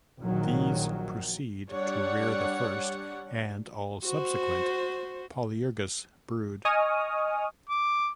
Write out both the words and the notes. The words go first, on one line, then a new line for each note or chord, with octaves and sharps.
These proceed to rear the first and all subsequent "Polyergus" brood.
A#1 D#3 F#3
G3 D4 C#5 F#5
F#4 C5
D#5 G#5 C#6 D#6 F6
D6